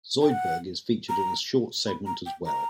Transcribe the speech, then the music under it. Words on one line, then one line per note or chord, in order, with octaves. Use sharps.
Zoidberg is featured in a short segment as well.
G5
F#5
A#5
B5
A#5
G5
A#5